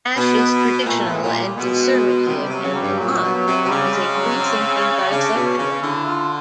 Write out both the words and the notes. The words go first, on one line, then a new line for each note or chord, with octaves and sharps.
Ash is traditional and conservative and LaMotte is a freethinking bisexual.
B2 B3
B3
A#2 A3
A2
G#3
A#2
G3
B2 G#3
G#3
C3 G3
C3
F#3
C#3
G3
G2
A#2 F#3
B2
F#3
C3
C3
C#3 G3
G#3
F#3
C4
C#4
C#3 D4
B2
C#4
C#3
D3 E4
F4